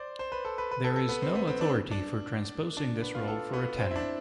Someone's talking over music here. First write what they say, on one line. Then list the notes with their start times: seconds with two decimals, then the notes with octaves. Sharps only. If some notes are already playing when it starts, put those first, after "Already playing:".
There is no authority for transposing this role for a tenor.
Already playing: C5 D5
0.19 C5
0.32 B4
0.45 A4
0.58 B4
0.71 B4
0.84 A4
0.96 A4
1.09 B3
1.22 C4
1.35 B3
1.47 C4
1.61 D4
1.91 D4
2.77 D4
3.02 B3
3.15 F4
3.28 A4
3.53 B3
3.79 C4
3.91 E4
3.96 D4